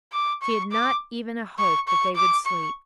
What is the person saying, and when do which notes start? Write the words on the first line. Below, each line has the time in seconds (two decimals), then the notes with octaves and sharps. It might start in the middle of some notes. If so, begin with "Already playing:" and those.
She had not even a hope that they would sleep.
0.12 D6
0.42 C#6
0.71 D6
1.59 C#6
1.88 C#6
2.16 D6
2.46 C#6